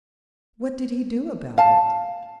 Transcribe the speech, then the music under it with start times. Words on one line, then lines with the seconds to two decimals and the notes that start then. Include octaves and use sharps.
What did He do about it?
1.58 F5 A5